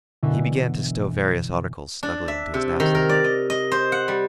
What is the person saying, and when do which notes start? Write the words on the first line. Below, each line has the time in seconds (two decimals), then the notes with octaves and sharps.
He began to stow various articles snugly into his knapsack.
0.23 F#2 B2 D3 E3
2.03 D4
2.28 E5
2.54 C3
2.80 D#3
2.95 A#4
3.09 D5
3.24 D#5
3.50 D#5
3.72 C5
3.92 F#5
4.08 G3